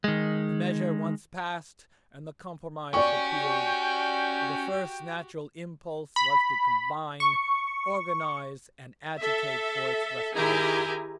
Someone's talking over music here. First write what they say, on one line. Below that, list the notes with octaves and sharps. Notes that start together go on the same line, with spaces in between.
The measure once passed, and the Compromise repealed, the first natural impulse was to combine, organize, and agitate for its restoration.
D#3 G#3
C#4 F#4 G4 D5 G5 C#6
B5
C#6
A4 E5
D#3 E4 G4 G#4 G#5 A#5